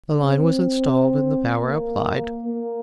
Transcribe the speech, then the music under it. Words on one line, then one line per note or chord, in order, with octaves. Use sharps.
The line was installed and the power applied.
C4
A#3
A#3